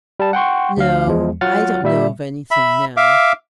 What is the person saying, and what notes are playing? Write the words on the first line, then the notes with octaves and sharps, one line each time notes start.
"No, I don't know of anything now."
G3 A5
F#5 G5 C6 C#6
D2 F5
E2 F3 G#3
F#3 F4 F#5 F6 A6
A#2 G3 E5
E5 B5
E5 F5 D6